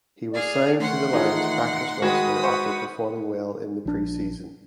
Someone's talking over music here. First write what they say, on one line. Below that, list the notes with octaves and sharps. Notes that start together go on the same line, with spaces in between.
He was signed to the Lions practice roster after performing well in the preseason.
G#4 D5 F5
D#3 E3 A3 F#5 C6
D#4 F4 G#4 A4
C7 C#7
D#3 G#3 F#4 B5 D#6 G#6
B4 C5 F#5 C#6
A#1 D4